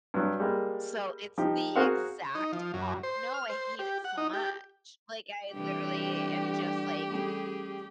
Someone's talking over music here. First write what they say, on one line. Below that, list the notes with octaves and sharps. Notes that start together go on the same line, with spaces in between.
So it's the exact op no, I hate it so much, like, I literally am just, like
G2 F#3
G3 G#3 A#3
F3 D#4 G4
F#4 G#4 A#4 C5 F5 F#5
D#4
F3
F#2
C5
F6
C5
G4
F#5
D#4
G4
G2 C3 E3 A3 G4
G3 A3 C#4 G#4